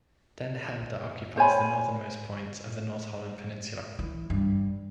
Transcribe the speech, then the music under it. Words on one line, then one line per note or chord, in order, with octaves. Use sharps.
Den Helder occupies the northernmost point of the North Holland peninsula.
C5 C#5 G#5 B5
E3
G2